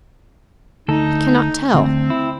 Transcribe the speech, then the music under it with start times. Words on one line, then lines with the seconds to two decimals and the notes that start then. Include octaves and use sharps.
I cannot tell.
0.88 D2 D#4 A4
1.74 D2 C4
2.10 E4